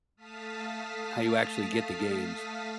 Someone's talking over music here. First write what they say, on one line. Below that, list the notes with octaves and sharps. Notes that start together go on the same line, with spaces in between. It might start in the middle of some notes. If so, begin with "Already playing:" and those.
how you actually get the games,
A3 F5 A5 D#6 F6 B6